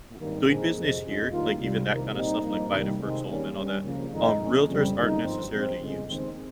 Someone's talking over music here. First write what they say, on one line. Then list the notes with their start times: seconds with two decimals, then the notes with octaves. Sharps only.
w doing business here, like, even that kinda stuff, like, buying a first home and all that, um, realtors aren't necessarily used,
0.19 G#1 G2 D#3 G3 A#3
0.46 A#2 F3 C4 D#4 G#4
0.75 F2 C3 F3 G#3
1.03 F2 C#3 G#3
1.31 G#1 G2 D#3 A#3 F4
1.58 C2 C3 G3
1.87 C2 C3 D#3 A#3
2.14 A#2 G3 C4 D#4
2.43 G2 F3 A#3 D#4
2.71 C2 C3 D#3 G3 A#3
2.99 C3 D#3 G#3 C4 D#4
3.26 D#3 G3 A#3 C#4
3.54 G2 G3 C#4
3.83 C#2 C#3 F3 A#3
4.11 F2 D#3 G#3 D#4
4.38 A#1 A#2 G#3 C#4
4.67 F2 C#3 G3
4.95 G1 G2 D#3 A#3 D#4
5.22 G#1 G2 F3 C4
5.51 A#1 A#2 G#3 C4
5.78 G1 F2 C#3 G#3
6.06 D#2 D#3 G#3 C4